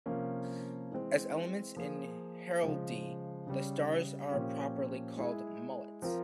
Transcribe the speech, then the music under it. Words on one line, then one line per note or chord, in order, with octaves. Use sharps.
As elements in heraldry, the stars are properly called mullets.
C3 F3 A#3 C#4
E3 G#3 C4
F3 A#3 F4 G#4
C#3 F3 G#3
C#3 G3 C#4
A#2 F3 A#3 C#4 G4
G#3 E4 G#4
F3 C4 F4 A#4